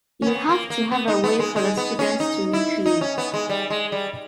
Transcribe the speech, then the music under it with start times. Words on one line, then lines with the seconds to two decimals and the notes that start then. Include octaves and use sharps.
You have to have a way for the students to recreate.
0.22 C#4
0.27 B3
0.49 A#3
0.70 A#3
0.91 B3
1.08 D#4
1.24 B3
1.40 G#3
1.56 G#3
1.77 B3
1.99 C#4
2.20 D#4
2.53 E4
2.86 D#4
3.01 C#4
3.18 B3
3.34 G#3
3.50 G3
3.70 G#3
3.92 G3